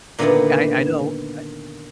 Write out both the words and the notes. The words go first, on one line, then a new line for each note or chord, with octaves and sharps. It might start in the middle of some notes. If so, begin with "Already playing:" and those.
I I know, I
A#2 D3 D#3 B3 E4 D5